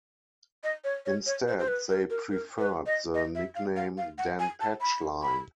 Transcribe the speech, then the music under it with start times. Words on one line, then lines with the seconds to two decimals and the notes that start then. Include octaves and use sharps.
Instead, they preferred the nickname Dan Patch Line.
0.64 D#5
0.84 C#5
1.06 C#5
1.26 C#5
1.48 C5
1.59 C5
1.68 B4
1.89 A#4
2.10 A#4
2.31 A#4
2.59 B4
2.86 D#5
3.14 D#5
3.35 E5
3.55 F5
3.76 F5
3.98 F5
4.18 F#5
4.39 G#5
4.61 A5
4.81 B5
5.22 B5